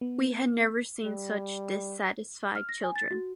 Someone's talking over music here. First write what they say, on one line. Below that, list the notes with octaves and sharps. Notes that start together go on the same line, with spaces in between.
We had never seen such dissatisfied children.
B3
G3
F6
A#6
G#5
A6
F#4